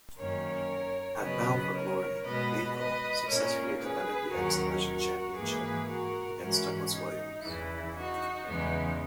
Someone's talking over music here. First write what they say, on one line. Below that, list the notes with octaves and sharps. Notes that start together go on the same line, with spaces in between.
At Bound for Glory, Lethal successfully defended the X Division Championship against Douglas Williams.
F#2 D#3 A#3 C#4 A#4 C#5
C#3 F#3 B3 B4 D#5
A#4 C#5
B2 G#3 B3 B4 D#5
B4 D#5
A#2 A#3 C#4 A#4 C#5
G#4 B4
D#2 D#3 F#3 C#4 F#4 A#4
F#4 A#4
G#2 E3 A#3 G#4 B4
F#4 A#4
G#2 E3 G#3 C#4 F#4 A#4
D#4
E2 C#3 E3 E4
D#4 F#4
E2 C#3 E3 G#3 B3 D#4